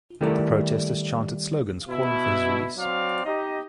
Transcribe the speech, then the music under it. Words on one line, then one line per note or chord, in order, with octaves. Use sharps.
The protesters chanted slogans calling for his release.
D#3 G3 A3 E4 A4 A#4
B2 E4
F#3 C4 D5 F5
D#4 G4 D#5